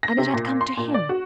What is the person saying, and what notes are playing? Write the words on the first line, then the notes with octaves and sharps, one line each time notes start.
And it had come to him!
A#6
C3
A#2
C6
A#2
D5
F#4